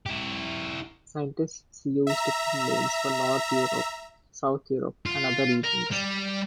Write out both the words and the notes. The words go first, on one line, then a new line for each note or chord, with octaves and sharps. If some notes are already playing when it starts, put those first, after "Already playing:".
Scientists use different names for north Europe, south Europe and other regions.
E4 G4
E5 A#5
F4
A#4
G3 D5